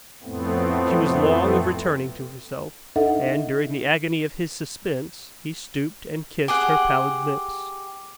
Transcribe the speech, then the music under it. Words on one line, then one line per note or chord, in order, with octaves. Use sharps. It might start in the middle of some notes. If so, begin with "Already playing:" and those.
She was long of returning to herself; and, during the agony of his suspense, he stooped and kissed her pallid lips.
F2 A2 A3 B3 C4
D4 D#4 A4 D#5 E5 F#5
G4 G#4 F#5